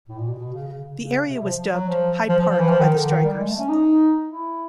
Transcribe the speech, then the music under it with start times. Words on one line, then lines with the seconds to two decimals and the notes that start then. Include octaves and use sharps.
The area was dubbed "Hyde Park" by the strikers.
0.09 A2
0.19 A#2
0.29 B2
0.39 B2
0.54 C#3
0.69 C#3
0.84 C#3
0.99 C#3
1.29 C3
1.44 F3
1.74 F#3
1.89 F3
2.29 F3
2.39 F3
2.49 F3
2.59 E3
2.69 F3
2.79 D#3
2.94 D3
3.09 D#3
3.24 G3
3.39 G#3
3.49 A3
3.59 C#4
3.69 D#4
4.29 E4